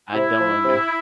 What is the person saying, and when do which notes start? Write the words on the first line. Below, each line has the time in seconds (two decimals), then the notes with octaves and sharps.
I don't wanna.
0.14 C3 E4
0.40 F3
0.64 C3